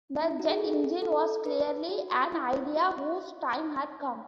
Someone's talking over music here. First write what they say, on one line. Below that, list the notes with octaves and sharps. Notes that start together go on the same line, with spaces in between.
The jet engine was clearly an idea whose time had come.
D#4
E4
F#4
G#4
A4
A4
B4
F#4
E4
F#4